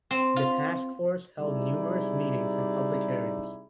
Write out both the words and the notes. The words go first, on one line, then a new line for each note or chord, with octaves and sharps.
The task force held numerous meetings and public hearings.
C4
F4
C3 G3 D#4 E4 G#4 D5